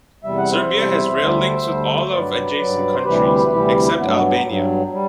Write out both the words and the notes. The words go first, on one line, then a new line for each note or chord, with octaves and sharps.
Serbia has rail links with all of adjacent countries, except Albania.
E2 C3 G3 E5
F#5
C5 E5
E2 C3 G3
D2 D3 G3
D2 D3 G3
G2 F#3 B4 D5
G2 F#3
C5
D2 C3 E3 G3 G4 B4
D2 C3 E3 G3 E4 G4
G2 F#3 B3
A3
B3
G2 F#3
G3